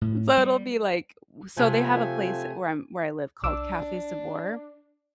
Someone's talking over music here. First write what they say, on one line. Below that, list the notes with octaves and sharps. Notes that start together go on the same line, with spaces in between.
So it'll be, like so they have a place where I'm where I live called Cafe Sabor,
A2
G3
C3 F3 A3 G#5
B1 D4 D6 E6